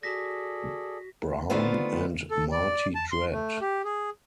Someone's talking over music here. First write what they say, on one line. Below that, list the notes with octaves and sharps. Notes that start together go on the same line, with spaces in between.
Brown, and Marty Dread.
F#4 G#4 A4 D5 A#6 B6
D3 D#3 A3 B3 F4 C5
A4
D5
A5
C6
A3
G4
G#4